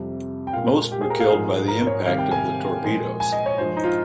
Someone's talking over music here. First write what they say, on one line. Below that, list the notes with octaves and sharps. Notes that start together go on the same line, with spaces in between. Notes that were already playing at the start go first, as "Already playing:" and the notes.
Most were killed by the impact of the torpedoes.
Already playing: F2 C3 G3
G5
A#2 G#3 F5
G4
G#4
A#4
F5
G#2 F3 G#3 G#4
A#4
C#5
C3 D#3 G3 F5
G5
G#5
A#2 F3 G#3
G#5
D#5
C#5
G2 F3 G#3 C5
D#4
F4